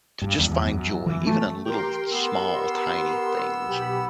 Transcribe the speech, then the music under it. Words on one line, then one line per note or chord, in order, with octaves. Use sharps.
to just find joy, even in little, small, tiny things.
G2
E2
E2
F#2
E3
A3
G4 A#4 G5 C6
B3 E6
B1 G4 B5